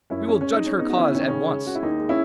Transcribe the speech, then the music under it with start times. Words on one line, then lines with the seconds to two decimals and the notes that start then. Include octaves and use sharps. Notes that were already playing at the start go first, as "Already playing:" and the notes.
'We will judge her cause at once.'
0.10 F#2 C#4 E4
0.27 G#3 C#4
0.41 G#3 C#4
0.54 D#4
0.63 G#3 C#4
0.79 B3 D#4
0.89 F#4
0.96 D#3 C#4 E4
1.14 D#3 C#4
1.21 D#4
1.28 C#3 C#4
1.49 G#3
1.66 G#3 F#4
1.75 E4
1.83 D#2 D#4
2.00 G#3
2.09 C#4 E4